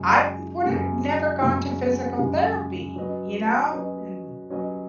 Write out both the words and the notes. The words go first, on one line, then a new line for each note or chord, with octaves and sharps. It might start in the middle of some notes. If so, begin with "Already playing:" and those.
I would have never gone to physical therapy, you know? And,
Already playing: F#2 C#3 G#3
F#2 C#3 G#3
F#2 C#3 G#3
F#2 C#3 G#3
F#3 C#4 F#4 B4 D#5
F#3 C#4 F#4 B4 D#5
F#3 C#4 F#4 B4 D#5